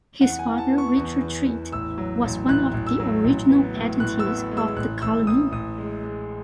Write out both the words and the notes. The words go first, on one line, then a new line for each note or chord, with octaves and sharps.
His father Richard Treat was one of the original patentees of the colony.
E2 F#5
G#5
E3
A5
B3
C#6
E2
E2
E2
A1 E6
F#3
A1
A1 F#6
A1
E6
F#3
A1
B3
A2
A2 F#6
E6
B3
G#3
E6
A1 F#6
A1 E6
A1 D#6
A1 D#6
G#3
G#3